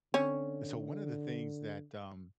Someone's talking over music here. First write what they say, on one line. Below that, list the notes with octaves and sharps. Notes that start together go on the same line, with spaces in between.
So, one of the things that, um,
D3 C4 C#4 C#5